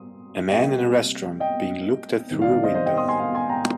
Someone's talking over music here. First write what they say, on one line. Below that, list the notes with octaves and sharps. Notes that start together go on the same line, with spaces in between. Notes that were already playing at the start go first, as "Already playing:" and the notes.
A man in a restaurant being looked at through a window.
Already playing: G3 C4 C6 D#6
C3 G3 A#3 D#5 G5
D#5 G5
C3 D#3 G3
D5 F5
D5
C5 D#5
C5 D#5
D#5 G5
C6 D#6
G#5 C6
F5 G#5
G#5 C6
G5 A#5